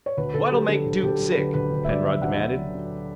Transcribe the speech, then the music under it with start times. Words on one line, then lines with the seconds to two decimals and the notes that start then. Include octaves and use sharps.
"What'll make Duke sick?" Penrod demanded.
0.06 C#5
0.17 D2 B4
0.34 D2 A4
0.51 F#3 G4
0.68 D3 A4
0.86 D2
1.03 D2 G4
1.08 A4
1.19 F#3
1.32 B4
1.37 D3
1.53 D2 B4
1.71 D2
1.84 E5
1.89 F#3 D5
2.05 D3 E5
2.22 D2 F#5
2.39 D2
2.56 F#3
2.74 D3